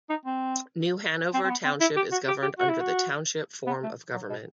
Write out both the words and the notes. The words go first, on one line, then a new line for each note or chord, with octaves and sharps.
New Hanover Township is governed under the Township form of government.
D#4
C4
C4
C4
B3
C4
E4
G4
F#4
G4
G4
F#4
E4
F#4
B3
A3
F#3
B2